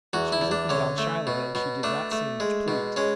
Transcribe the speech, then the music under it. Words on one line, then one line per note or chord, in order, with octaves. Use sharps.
She was looking down shyly and she did not seem much pleased.
E2 F#4
E4
E2
D4
D3 C#4
A3
B2
B2
A3 D4
A3
G#3
B2
G#3 C#4